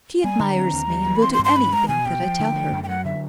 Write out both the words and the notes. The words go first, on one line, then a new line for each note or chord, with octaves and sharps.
She admires me and will do anything that I tell her.
G3 G#5
D3 A#5
C4
D#2
G3
E3
B5
C4 C6
C6
G2
C6
C#4 B5
G#3 A#5
B2 G#5
B2 G5
F3
D3
A3
F#2
G5
F#3 F#5
D3 E5